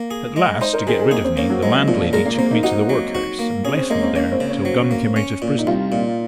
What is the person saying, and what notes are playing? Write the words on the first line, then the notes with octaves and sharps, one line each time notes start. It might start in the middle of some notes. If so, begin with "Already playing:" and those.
At last, to get rid of me the landlady took me to the workhouse, and left me there till Gun came out of prison.
Already playing: A#3
G#4
G#3
D#4 C5
A#4
D#3 G#4
G#4
A#3 G#4
C4
A#3 C#4
F#3
F#3 G#3
A#2 F3
G#3 A#4
A#3
A#3 C4
D#4
D#4 F#4
F#3
F#4
A#3
C#4 G#4
C4
G#3 A#3
C4
A#3 C#4
C4
C#3
C#4
F#3
A#3
C#4
A#2
D#4
C2 F4
A#2